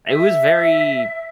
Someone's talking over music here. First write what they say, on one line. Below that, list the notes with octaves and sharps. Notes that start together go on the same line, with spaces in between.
It was very
E5